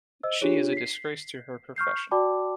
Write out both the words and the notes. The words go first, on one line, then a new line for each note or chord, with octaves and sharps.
She is a disgrace to her profession.
C5 D#5 E6
D4 F4 G4 G#4 C#5
B6 C7
C#6 F6 G6 C7
F#4 D5 G5 A5 B5 D6